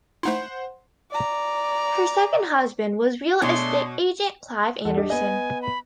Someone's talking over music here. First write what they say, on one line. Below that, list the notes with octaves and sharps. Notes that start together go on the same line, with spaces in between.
Her second husband was real estate agent Clive Anderson.
A3 D#4 E4 C5 F#5 C6
D5 A#5
B2 G#3 A3 D4 C#5 A5 C6
E2 A4 F#5
D4 G4 D#5
B3 D#5 G#5
B5